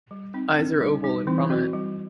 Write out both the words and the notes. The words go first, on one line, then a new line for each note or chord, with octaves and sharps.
Eyes are oval and prominent.
G3
C4 D#4
C4 D4
G3 D#4
G3 D#4
E3 C4 E4
F#3 C4 F#4
G3